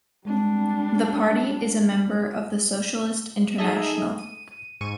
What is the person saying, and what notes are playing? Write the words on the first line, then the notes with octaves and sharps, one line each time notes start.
The party is a member of the Socialist International.
G3 G#3 C4 D4
D#4 G#4 A4 D#5 E5
D#7
G#2 C#6 D#7